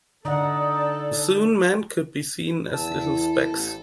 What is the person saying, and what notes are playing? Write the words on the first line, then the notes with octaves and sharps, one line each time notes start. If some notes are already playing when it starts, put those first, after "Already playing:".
Soon men could be seen as little specks.
D3 D#4 A4 D5 F#5
E2 A5 E6
E4 A4
A1